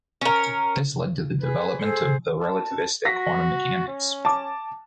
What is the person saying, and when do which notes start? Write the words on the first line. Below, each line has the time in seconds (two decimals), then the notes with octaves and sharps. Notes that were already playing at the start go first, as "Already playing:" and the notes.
This led to the development of the relativistic quantum mechanics.
0.21 C#4 A#4
1.41 G#4 B4
1.82 G#4 A4 C5
2.40 A5
3.05 F#4 A#6 B6
3.88 C#4
4.25 A5 D6